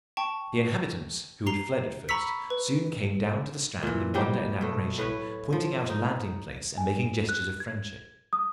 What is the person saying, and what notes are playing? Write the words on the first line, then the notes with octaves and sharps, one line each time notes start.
The inhabitants, who had fled at first, soon came down to the strand in wonder and admiration, pointing out a landing-place, and making gestures of friendship.
G5 A5 C#6
A#5 C7 F7 G7
A#5 B5 C#6 E6 B6 C#7
B4
A#2 E3
F#3 G3 G4 G5
B2 A3
A2 B4 C#5
F3
D#4
G#5
F#6
G#6
D#6